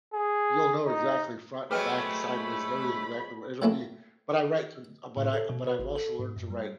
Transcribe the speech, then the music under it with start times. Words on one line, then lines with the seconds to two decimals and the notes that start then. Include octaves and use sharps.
you'll know exactly front, back, sideways, and everything exactly what it'll be. But I write some but I but I've also learned to write,
0.14 G#4
0.87 D#4
1.71 F#3 G#3 A3 C4 G#4 B4 G5 B5
3.62 A2 F3 A3 A#3 C#4 E4
5.17 A2
5.33 A4
5.50 B2
5.67 B4
5.79 G#1
5.96 A4
6.19 G#2
6.36 F#2
6.51 G3